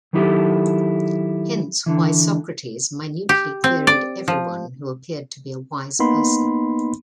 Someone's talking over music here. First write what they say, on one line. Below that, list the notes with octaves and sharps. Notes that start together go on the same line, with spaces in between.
Hence why Socrates minutely queried everyone who appeared to be a wise person.
D#3 F#3 D#4 E4 G4 A4
D3 E3
G4
C4
D5
F3
A#3 B3 D#4 B5 C6